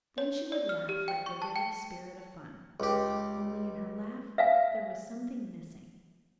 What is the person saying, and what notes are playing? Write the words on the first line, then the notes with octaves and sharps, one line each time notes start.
Then she would laugh like the very spirit of fun; only in her laugh there was something missing.
C#5
D5
F6
G4
G5
C#6
A5
G5
C#2 G4
E5 F5 G#5